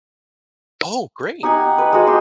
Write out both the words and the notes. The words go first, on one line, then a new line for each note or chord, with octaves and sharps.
Oh, great.
D#4 G4 F#5 G#5
B4
G#3 F#4
G4 C6